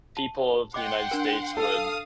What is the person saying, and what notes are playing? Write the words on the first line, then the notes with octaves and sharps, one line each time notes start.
people of the United States would
A5
D#5 F#5 G5 C6 D6
D4 A#4
A4 F5 D#6